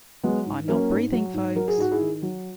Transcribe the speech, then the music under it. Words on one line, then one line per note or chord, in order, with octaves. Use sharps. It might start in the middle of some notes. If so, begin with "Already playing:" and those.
I'm not breathing folks!
F#3 G#3 B3
G#2
F#3 A#3 C#4
G#2
F#3
G#2
F#3 A#4
G#4
G#2 F#4
E4 G#4
D#3
F#3